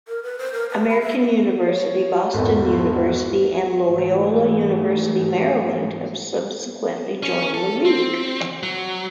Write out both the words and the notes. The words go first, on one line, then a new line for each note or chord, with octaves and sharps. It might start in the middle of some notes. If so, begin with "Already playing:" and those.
American University, Boston University, and Loyola University-Maryland have subsequently joined the league.
A#4
B4
C5
A#4
B4
B5
E5
C#5
G#1 E2 A4
F#4
G#2 E3 A3
C#4
A4
C4
F#3